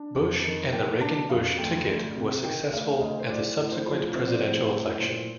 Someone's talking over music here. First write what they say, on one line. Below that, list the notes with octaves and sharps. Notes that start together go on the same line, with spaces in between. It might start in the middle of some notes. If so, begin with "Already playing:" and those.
Bush, and the Reagan-Bush ticket was successful at the subsequent presidential election.
Already playing: D4
F2
D#3
A#3 G5
D4 A5
F2 F5
D2 G5
D2
C3
D#3 G5
D2 F5
F5
D2 D#5
C5
A2 D5
A2
C5
F3
C4 C5
D5
A2 C5
A2
A#2 C5